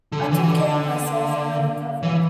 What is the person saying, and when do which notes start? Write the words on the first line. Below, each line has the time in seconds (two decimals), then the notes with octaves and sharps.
I took care of myself and I recovered.
0.12 D3
0.31 E3
0.43 E3
0.50 D3
2.03 E3